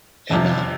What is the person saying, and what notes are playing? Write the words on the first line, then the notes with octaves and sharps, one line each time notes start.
and, uh
F2 C3 F3